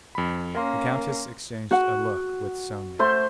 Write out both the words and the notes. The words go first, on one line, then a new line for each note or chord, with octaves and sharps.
The countess exchanged a look with Sonya.
F2 B5
A#3 C#4 A#4 C6
F#4 F#5
A3 C5 C6